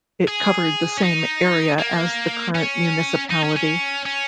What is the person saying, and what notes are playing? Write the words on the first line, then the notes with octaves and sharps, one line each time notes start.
It covered the same area as the current municipality.
G#4
C#4
D#4
A#3
C#4
D#4
C#4
C#4
C#4